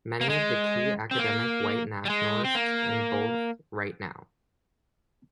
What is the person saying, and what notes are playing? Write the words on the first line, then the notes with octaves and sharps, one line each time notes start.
Many of the key academic white nationalists in both Right Now!
A#3
G#3
C4
A#3
G3
G#3
C4
A#3